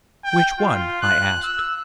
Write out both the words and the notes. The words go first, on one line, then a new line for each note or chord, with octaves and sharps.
"Which one?" I asked.
G5
F4
F#6
E6